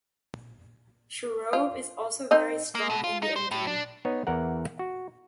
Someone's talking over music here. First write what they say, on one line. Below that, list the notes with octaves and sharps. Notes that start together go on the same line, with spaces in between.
Shirov is also very strong in the endgame.
F4
C4 D#4 D#5
A#3
B2
F4
D#4
C5
A2
D4
B3 D#4 C#5 D#5
E2 E3 A#4 F#5
F#4